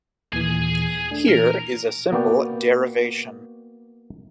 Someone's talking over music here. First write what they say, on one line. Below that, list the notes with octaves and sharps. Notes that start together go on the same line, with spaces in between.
Here is a simple derivation.
D#2 A#2 E3 G#4 G#5
A3 D4
A#2 E3 A#4
A#3 B3 F#4 D5 G5